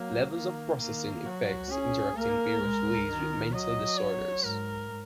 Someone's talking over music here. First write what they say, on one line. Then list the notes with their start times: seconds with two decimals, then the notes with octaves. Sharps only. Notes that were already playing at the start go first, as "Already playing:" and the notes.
Levels-of-processing effects interact in various ways with mental disorders.
Already playing: F#3 A#3
0.34 D#3 A#3
0.80 D#3 A#3
1.25 F#3 F#4
1.70 C#4 G#4
2.16 A#3 A#4
2.61 G#3
3.08 D#3
3.53 F#3 D#5
3.98 C#5
4.43 G#2 A#4